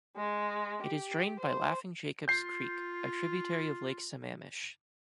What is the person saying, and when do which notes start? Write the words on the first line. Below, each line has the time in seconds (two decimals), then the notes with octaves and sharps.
It is drained by Laughing Jacobs Creek, a tributary of Lake Sammamish.
0.17 G#3
0.84 G4
1.40 C5
2.28 F4 G6 C7